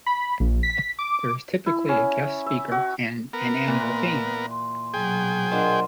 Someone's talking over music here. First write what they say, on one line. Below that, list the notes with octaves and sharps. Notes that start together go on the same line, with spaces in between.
There is typically a guest speaker and an annual theme.
B5
A#1
B6
D6
E4
C#4
E5
F#4
B3 A#4
A#2 E3
C6
B2 F#3 G#4 G5
D4 F4 A#4 C5 D#5 F#5